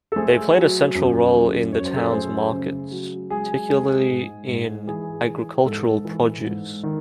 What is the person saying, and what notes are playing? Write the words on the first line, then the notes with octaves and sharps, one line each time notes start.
They played a central role in the town's markets, particularly in agricultural produce.
A4
A3 G#4 C5
F#3
F#2
F#2
F#2 C#5
C5
A4 C#5
A3 G#4 C5
C#3
F#3
G#3 G#4
G#3
G#2
G#2
E3 G#4
E3
G#2 A4
E3
G#2
D#3